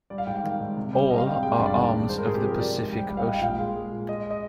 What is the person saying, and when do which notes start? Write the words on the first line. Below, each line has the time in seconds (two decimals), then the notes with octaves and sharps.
All are arms of the Pacific Ocean.
0.10 G3 D5
0.18 F5
0.27 G#2 G5
0.36 F5
0.44 D#3
0.60 G#2
0.77 C3
0.93 G3
1.10 G3 D#5
1.18 F5
1.26 C3 G5
1.43 G#3 G5
1.54 F5
1.59 G2
1.66 D5
1.77 D#3
1.93 G2
2.09 G#3 C5
2.18 A#4
2.26 C3 G#4
2.35 G4
2.43 F3
2.51 A#4
2.59 C3 D5
2.76 G#2
2.87 G5
2.92 G3
2.98 G5
3.09 G3 G5
3.17 F5
3.26 G#2 D#5
3.33 G5
3.42 A#2 F5
3.59 G#3
3.76 G#3
3.91 A#2
4.09 G#3 D#5
4.31 D#5